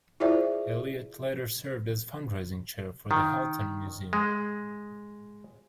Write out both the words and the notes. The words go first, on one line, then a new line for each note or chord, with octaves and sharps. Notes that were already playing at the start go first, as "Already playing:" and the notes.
Elliot later served as fundraising chair for the Halton Museum.
E4 F4 G#4 C5 D5 E5
D#3
G#3